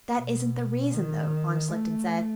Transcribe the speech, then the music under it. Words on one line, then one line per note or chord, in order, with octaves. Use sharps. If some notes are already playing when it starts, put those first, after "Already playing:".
"That isn't the reason, though," von Schlichten said.
B2
D#3
A3